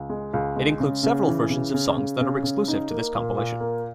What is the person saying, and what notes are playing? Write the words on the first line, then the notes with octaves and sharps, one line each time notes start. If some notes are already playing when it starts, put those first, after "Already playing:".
It includes several versions of songs that are exclusive to this compilation.
Already playing: C#2
G#3
C#2
G#3
C#3
C#3
E3
C#3
C#3
C#3
C#3
C#3
D#4
A#3
A#2
A#2
A#3